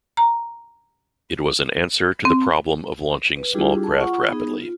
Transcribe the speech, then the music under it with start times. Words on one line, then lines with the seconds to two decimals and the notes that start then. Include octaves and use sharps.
It was an answer to the problem of launching small craft rapidly.
0.17 A#5
2.25 C4
3.37 B4
3.54 G3 D4 E4 F4 G4 G#4
3.83 G#4 A5
4.00 F4 F#5 C#6
4.29 B3 D#4 G#4
4.61 F4